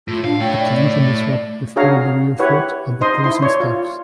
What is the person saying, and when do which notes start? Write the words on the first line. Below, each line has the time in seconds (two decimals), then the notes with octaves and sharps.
The cane should be swept before the rear foot as the person steps.
0.08 A2 F4
0.25 D4 F5
0.40 A3 C#5 G5
0.59 D5
1.76 D4 F#4 G#4 C#5 F5 A#5
2.39 E4 G4 B4 C#5 F#5
3.01 D#4 C5 D#5 C6 D#6
3.24 E4 C6
3.42 C#5 D5
3.60 F4